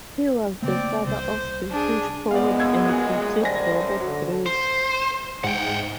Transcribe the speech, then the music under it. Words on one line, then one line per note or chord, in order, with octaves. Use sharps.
He was the father of British poet and critic Robert Graves.
C#3 A3 A#3 C4 D5
C2 C3 G3 C5
D4 G#4
F#2 A#2 G#3 B3 D5 F5
E6 G#6
F#4 G#5
D#1 F#2 G3 C5 G#5 A#6
D3 F#3
C5
G#2 F#5 G5